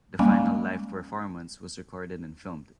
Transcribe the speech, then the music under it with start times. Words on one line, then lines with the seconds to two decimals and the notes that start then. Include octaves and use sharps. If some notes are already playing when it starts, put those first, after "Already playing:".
The final live performance was recorded and filmed.
0.19 G3 G#3 A#3 C#4